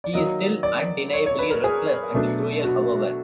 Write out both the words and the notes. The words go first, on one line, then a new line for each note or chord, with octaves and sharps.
He is still undeniably ruthless and cruel, however.
D5
D#3 F#3 A#3 D#5
D5
C#5
C#5
B4
A#4
G#4
B2 F#3 A3 D4
F#4